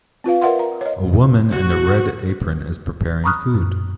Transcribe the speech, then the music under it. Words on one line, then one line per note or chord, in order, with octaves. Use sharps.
A woman in a red apron is preparing food.
C4 F4 B4 F5
A#4 B4 D5 E5 F#5 C6
A#5
C#5 D#5
F#4
A#5 B5 C#6 D#6 F6 F#6
F#2 A#2